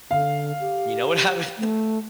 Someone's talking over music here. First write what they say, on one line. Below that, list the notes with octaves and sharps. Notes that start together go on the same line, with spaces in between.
You know what happened
D3 F5
G4
A3